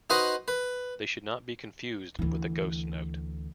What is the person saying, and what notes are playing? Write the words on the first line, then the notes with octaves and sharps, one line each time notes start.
They should not be confused with a ghost note.
D#4 F#4 B4 C5 D#5
B4
D2 E3